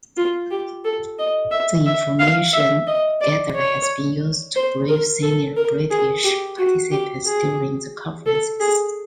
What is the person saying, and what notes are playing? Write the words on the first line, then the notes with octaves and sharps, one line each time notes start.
The information gathered has been used to brief senior British participants during the conferences.
F4
G4
A4
D#5
E5
E5
F5
E5
D#5
D5
C#5
C5
A#4
A4
A#4
G#4
G4
F#4
G4
G#4
A4
G#4